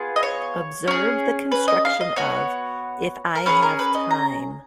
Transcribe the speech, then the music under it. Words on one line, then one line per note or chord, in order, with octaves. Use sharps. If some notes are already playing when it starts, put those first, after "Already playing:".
Observe the construction of: if I have time.
Already playing: B3 F4 G#4
D#5
C#5
C#4 G#4
B4
D#5
F5
D#5
B3 F#4 C#5
A#4
C#4 F4 G#4 B4
A#4
B4
D#5
A#5